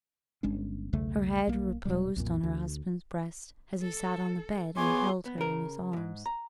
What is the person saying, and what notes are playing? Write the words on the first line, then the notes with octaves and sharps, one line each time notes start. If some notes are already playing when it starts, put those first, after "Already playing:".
Her head reposed on her husband's breast as he sat on the bed and held her in his arms.
G1 G#3 C#4 D4
B1 E2 C#3 A3
B1 A#3
D#1 C#2 B2 G3
B1 F2 A#2
D2
A4
B3 F4 G#4 C#5 G#5 C6 D6
B3
C#3 A#4
F2 G#2
A#5